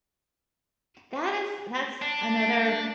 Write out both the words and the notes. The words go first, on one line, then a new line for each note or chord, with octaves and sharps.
That is that's another,
D4